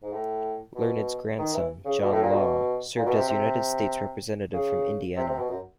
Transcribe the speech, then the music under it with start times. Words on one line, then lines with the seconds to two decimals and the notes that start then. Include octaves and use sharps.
Learned's grandson, John Law, served as United States Representative from Indiana.
0.02 G#2
0.13 A2
0.75 B2
1.38 D#3
1.54 E3
1.85 C#3
2.02 B2
2.11 A2
2.23 A#2
2.32 B2
2.97 A#2
3.06 B2
3.17 C3
3.28 C3
4.53 C#3
5.16 C3
5.28 C3
5.38 B2
5.49 F#2